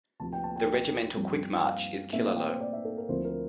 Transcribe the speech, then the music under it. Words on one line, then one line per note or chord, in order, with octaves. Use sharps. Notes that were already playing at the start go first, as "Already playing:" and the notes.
The Regimental Quick March is Killaloe.
D2 C3 F3 A5
G5
A5
G5
G2 F3 C4
F5
A#2 A3 C4 E5
F5
G5
C5
D5
E5
A4
A#4
D2 D3 F3 C4 E4 C5
A#4